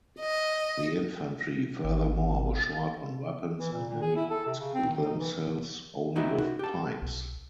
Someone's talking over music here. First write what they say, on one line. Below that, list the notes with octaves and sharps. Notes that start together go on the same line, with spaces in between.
The infantry, furthermore, was short on weapons and many armed themselves only with pikes.
D#5
G#1
E3
A#2
A#2
G#4
E4
A4
C3
C#3
C4
D#3
D#4
E3
D#4 E4 F#4 A#4 D#5 G5
F#4
G4 A5
B1